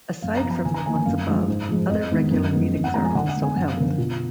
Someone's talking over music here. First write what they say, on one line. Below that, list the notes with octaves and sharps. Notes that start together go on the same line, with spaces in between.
Aside from the ones above, other regular meetings are also held.
F#2 F5
A#5
F3 B3
A#5
D3 G#5
A#5
F3 A#3 G#5
G#5
F#2 F5
F3 G#3
G#2
F3 G#3
F2 D#5
D#3 G#3 B3
F#2
F3 G#3 B3
F2
F#5
F3 G#3 B3 A#5
G#5
D3 F#5
F#5
G#3 B3
G#5
F#2 F#5
F5
D3 F3 B3 A#4
A#4
B2 F4